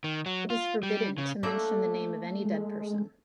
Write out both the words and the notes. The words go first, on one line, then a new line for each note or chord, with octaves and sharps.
It is forbidden to mention the name of any dead person.
D#3
F#3
F4
G3
C#3
A3 A#3 D4
G#3